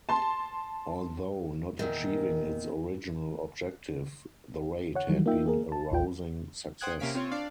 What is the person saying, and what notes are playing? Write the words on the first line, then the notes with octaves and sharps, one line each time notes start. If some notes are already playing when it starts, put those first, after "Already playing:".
Although not achieving its original objective, the raid had been a rousing success.
A5 C6
E2 A#2 D#3
C#5 F#5
D#3 E3 F#3 G3
A#3 D#4 F4 E5 G5
A#3 G#4 A#4
A5
A1 D#2 F4 G5
C5 F#5 G5 D#6 F#6 G#6
C3 A#3 C#4 F5 B6 D7
C4 F4 C#5
D4 D5 F5